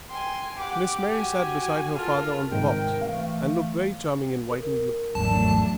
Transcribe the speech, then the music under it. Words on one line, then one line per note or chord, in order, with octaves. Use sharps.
Miss Mary sat beside her father on the box, and looked very charming in white and blue.
G5 G#5 C6
G4 F#5 D6
F#4 G#5
F4 A4 A#4
G#2 C3 D#3 A#4 G5
E3 A3 F5
A#4
G#1 E2 G2 F#3 A3 D4 A5